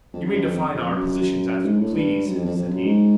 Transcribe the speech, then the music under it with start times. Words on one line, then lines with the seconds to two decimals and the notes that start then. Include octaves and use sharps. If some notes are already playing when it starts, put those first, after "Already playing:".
"You may define our positions as you please," said he.
0.14 F2
0.24 F#2
0.34 F#2
0.44 F2
0.74 F2
0.89 F#2
1.64 G#2
1.79 A2
1.95 G2
2.25 F#2
2.35 F2
2.45 F2
2.55 F2
2.70 F#2
2.85 G#2